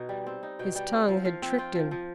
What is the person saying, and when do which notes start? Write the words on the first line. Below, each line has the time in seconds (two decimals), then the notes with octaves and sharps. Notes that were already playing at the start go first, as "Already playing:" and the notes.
His tongue had tricked him.
Already playing: B2 D#4
0.09 G3
0.26 C4
0.43 D#4
0.59 B2 G5
0.75 G3 G5
0.92 C4
1.08 F3 F5
1.25 F3 F5
1.42 C4 G5
1.58 F4 G5
1.75 F3
1.91 F3